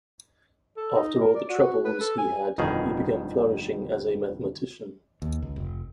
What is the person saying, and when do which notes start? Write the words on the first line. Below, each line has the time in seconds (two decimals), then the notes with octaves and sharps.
After all the troubles he had, he began flourishing as a mathematician.
0.77 A4
0.96 D#4
1.20 A#4
1.35 D5
1.50 F#4
1.85 B4
2.01 A4
2.18 G#5
2.58 G1 F2 B2 D#3 G#4
5.22 D#2
5.42 C#2
5.56 F1